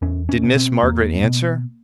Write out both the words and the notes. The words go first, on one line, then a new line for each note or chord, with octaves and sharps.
"Did Miss Margaret answer?"
E2 C#4
C#4
B2
C4
E2 A#3
B2